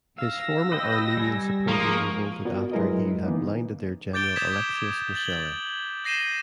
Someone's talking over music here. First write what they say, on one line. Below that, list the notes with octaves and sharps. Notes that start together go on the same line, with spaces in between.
His former Armenian supporters revolted after he had blinded their general Alexios Mosele.
F5 E6 A#6
B4 D#5 G5
G3 G#5
F3 G#3 A#3 A#4 C#6 D#6
B3 F4 F#4 A#4 D5
F#3 G#3 E4 A#4 B4 D#5
D3 E3 A#3 B3 D#4
D6 G6 A6 D7 G7
D6 D#6 G6 G#6 B6 E7
G6 A6 F#7 G7
G6 A#6 C7 D#7 E7 G7